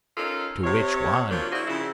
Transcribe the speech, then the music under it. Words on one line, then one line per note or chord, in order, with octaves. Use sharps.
"To which one?"
C#4 D#4 F4 A4 A#4
C3 C#5
F3 F#3 A#3 D4 F4
E4 F#4 G#4 C5 D5
C#3 F3 E4